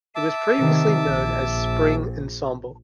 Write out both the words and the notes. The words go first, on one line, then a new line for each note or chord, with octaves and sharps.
It was previously known as Spring Ensemble.
E5 A5 D6
C3 D#3
A#1